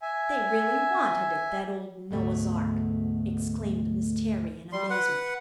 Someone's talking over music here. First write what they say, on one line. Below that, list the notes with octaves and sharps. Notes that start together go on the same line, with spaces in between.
"They really wanted it, that old Noah's ark!" exclaimed Miss Terry in amazement.
E5 G#5
D2 G#2 B2 A3
G3 C6
B4 F#5